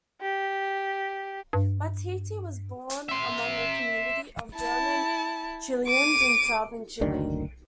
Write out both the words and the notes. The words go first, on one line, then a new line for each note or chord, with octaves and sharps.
Matthei was born among a community of German Chileans in Southern Chile.
G4
G2
E5 C6
E4 A5
D6 D#7
F#1 D2 D#3 D4